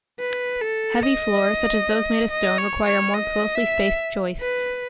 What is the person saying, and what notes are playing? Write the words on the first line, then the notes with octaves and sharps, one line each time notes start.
Heavy floors, such as those made of stone, require more closely spaced joists.
B4
A4
D#5
D#5
C#5
C#5
D#5
E5
B4